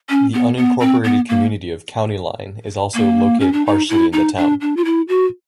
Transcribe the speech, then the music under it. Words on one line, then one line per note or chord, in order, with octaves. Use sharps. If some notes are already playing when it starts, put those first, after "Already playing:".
The unincorporated community of County Line is also located partially in the town.
C#4
B3
B3
C4
B3
A#3
A#3
C#4
D4
D#4
E4
D#4
D4
D4
F4
E4
F#4